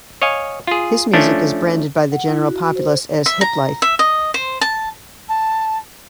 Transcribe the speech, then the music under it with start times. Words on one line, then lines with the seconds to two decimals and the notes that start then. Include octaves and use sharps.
His music is branded by the general populace as hiplife.
0.22 C#5 D#5 F5 G#5
0.67 F4 G#4
1.14 F3 A3 C#4 D4
2.12 F#5
2.28 E4
2.47 F#4
2.60 F#4
2.76 C5
3.26 E5
3.41 A#5
3.82 E5
3.99 D#5
4.34 C5
4.61 A5
5.28 A5